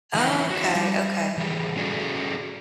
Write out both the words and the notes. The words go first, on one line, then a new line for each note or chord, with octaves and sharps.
Okay. Okay.
E3 D#4 E4 B4
E4 F#4
G3
E3 G3 G#4
C#4 F#4 G#4 A4 D5